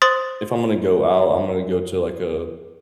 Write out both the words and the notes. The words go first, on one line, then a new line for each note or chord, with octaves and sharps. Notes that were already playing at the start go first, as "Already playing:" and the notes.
if I'm gonna go out, I'm gonna go to, like, a
C5 C6 D#6 A6